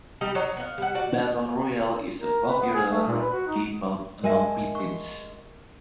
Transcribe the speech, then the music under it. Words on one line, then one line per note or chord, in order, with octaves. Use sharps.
Battle Royale is a popular gamemode among preteens.
G3 D#4 G4
F#3 D#4 C#5
B3 F5
G3 F#5
F#4 D5 F#5
A#4
B4
B3
G#4
A3
A#2
B4
F#4
D#4
G#3 A#4 E5 G#5 A5
C#6